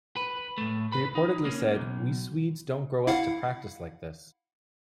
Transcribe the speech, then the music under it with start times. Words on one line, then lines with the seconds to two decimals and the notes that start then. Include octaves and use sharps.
He reportedly said, We Swedes don't' grow up to practice like this.
0.17 B4
0.58 A2 A3
0.92 B4 B5
1.15 D#4
1.45 A#3 C#4
1.75 B1
3.07 E4 F5 F#5